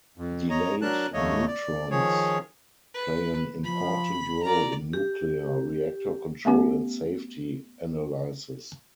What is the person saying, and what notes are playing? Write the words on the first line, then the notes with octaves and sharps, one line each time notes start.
Delayed neutrons play an important role in nuclear reactor control and safety analysis.
F2
C#5 D#5 A#5
F#3 D4 A#4 A5 F#6
D#2 A3 A#3 C#5 D#5
D5
D#3 F3 G#4 C#5
B4
F3 B5
A#4 D5 A#5
G4
A3 B3 C#4 G4